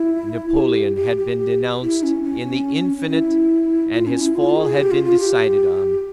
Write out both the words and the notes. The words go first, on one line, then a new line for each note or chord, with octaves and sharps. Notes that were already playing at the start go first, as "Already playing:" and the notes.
Napoleon had been denounced in the infinite and his fall had been decided on.
Already playing: E4
G4
G4
G4
G4
E4
C#4
C#4
C#4
E4
F4
C#4
E4
F4
G#4
G4
F4
F4
G4